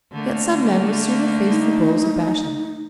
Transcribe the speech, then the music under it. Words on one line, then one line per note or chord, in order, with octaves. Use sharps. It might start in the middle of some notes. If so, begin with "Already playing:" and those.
Yet some men would sooner face the bulls of Bashan.
D3 A3 A#3
D#4